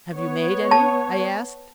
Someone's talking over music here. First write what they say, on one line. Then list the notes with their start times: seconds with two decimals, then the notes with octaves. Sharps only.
"Have you made any?" I asked.
0.16 B3 C#5
0.71 A5